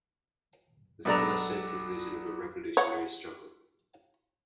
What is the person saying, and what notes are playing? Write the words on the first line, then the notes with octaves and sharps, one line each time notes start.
The stir shaped his vision of a revolutionary struggle.
B1 B3 D4 A4 D5 A#5
C#5 F#5